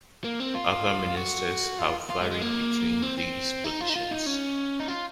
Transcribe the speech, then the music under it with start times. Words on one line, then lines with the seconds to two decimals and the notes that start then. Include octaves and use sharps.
Other Ministers have varied between these positions.
0.24 A#3
0.40 C4
0.55 F4
1.17 F#4
1.79 F4
2.10 F4
2.21 G#3
2.31 G#3
2.42 A#3
3.02 C4
3.18 C4
3.64 D#4
3.81 F4
3.89 D#4
3.96 F4
4.11 D#4
4.26 C#4
4.80 D#4
4.88 F4